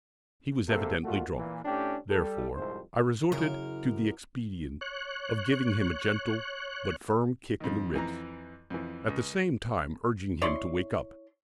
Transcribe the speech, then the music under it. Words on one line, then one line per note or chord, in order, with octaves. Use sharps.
He was evidently drunk, therefore I resorted to the expedient of giving him a gentle but firm kick in the ribs, at the same time urging him to wake up.
D2 C3 A#3 A4
D#2 A#2 A3 F4 F#4
A#2 E3
A2 C#4 D4 G4
G3 A4
C2 F2 G#2 C3 C5
F#2 C#3 E4 A#4
C#5 F#6
F2 D#3
F2 E3 A#5
F2 E3
C#2
E4 C#5 D5 C6